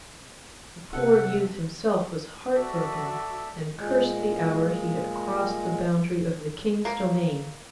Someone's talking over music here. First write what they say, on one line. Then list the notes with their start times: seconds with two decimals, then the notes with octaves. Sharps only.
The poor youth himself was heart-broken, and cursed the hour he had crossed the boundary of the King's domain.
0.93 C3 A4 F#5
2.55 F#4 A4 D5 E5
3.76 A#2 G#3
6.85 A#3